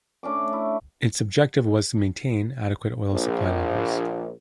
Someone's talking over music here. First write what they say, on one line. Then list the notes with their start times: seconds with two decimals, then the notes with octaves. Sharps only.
Its objective was to maintain adequate oil supply levels.
0.23 A3 C#4 D4 D6
0.53 E4
3.12 A#1